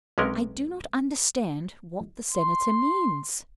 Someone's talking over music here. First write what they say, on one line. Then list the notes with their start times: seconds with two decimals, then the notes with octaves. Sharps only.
I do not understand what the Senator means.
0.18 B1 C3 G#3 C#4 A#4
2.32 C6